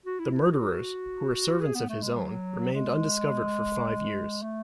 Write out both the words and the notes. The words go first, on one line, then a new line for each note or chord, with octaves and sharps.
The murderers, who were servants of his own, remained undiscovered for five years.
F#4
E4
E4
F#4
G#4
B3
A3
G#3
F#3
G#3
A3